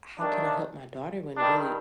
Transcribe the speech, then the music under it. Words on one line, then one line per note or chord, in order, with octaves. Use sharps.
how can I help my daughter when really
D#2 D#3 A3 D4
G2 D#3 G3 D4